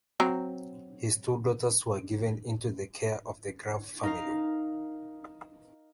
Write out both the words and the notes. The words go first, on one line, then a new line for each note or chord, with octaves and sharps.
His two daughters were given into the care of the Graff family.
F#3 C4 A#5
D#4 A#4 F5